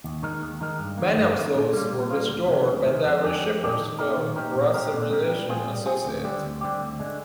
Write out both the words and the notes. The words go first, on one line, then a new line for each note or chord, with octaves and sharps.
Many of those were restored by David Shepard's Film Preservation Associates.
D#2
D#3 G#3 D#4 A#4
D#2
D#3 G#3 D#4 A#4
G2
D#3 A#3
G2
D#3 A#3
A#2
G3 A#3 F4
A#2
G3 A#3 F4
D2
C3 D#3 G#3
D2
C3 D#3 G#3
F2
D3 G#3 D4 G4
F2
D3 G#3 D4 G4
D#3
A#3 D#4 G4 A#4
D#3
A#3 D#4 G4 A#4
A#2
G#3 C4 G4 A#4
A#2
G#3 C4 G4 A#4
G3
C4 F4 G#4
G3
C4 F4 G#4
D2
D3 G3 C4 G4
D2
D3 G3 C4 G4
D2
D3 G#3